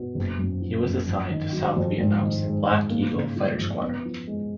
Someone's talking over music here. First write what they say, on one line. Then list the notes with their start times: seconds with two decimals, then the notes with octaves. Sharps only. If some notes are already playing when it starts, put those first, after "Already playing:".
He was assigned to South Vietnam's "Black Eagle" Fighter Squadron.
Already playing: B2
0.15 F#1
0.38 F#2
0.62 F3
0.85 F#1
1.07 F2
1.30 D#3
1.52 F#3
1.76 F2
1.99 G#2
2.22 D#3
2.44 G#3
2.67 G#2
2.90 A#3
3.14 C#3
3.36 F3
3.59 F2
3.82 B3
4.05 F3
4.27 G#3